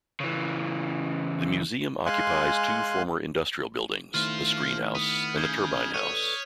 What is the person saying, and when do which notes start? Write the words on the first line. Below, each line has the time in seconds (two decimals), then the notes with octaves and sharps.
The museum occupies two former industrial buildings, the Screen House and the Turbine House.
0.20 C#3 E3
2.06 G#3 F5 G#5 C6 F#6
4.14 D#3 A3 E4 F4 C5 F6
4.95 B3 D#6 B6
5.37 C#3 G6 G#6 G7
5.73 D#6
5.94 A4 B4 C#5 D5 D#7